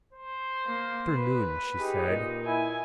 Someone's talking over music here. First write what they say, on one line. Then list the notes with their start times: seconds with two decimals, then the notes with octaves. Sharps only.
Afternoon she said.
0.13 C5
0.66 A#3
1.14 B4
1.79 D#4 G4 G#4
2.08 A#2 D#5
2.46 E4 G#5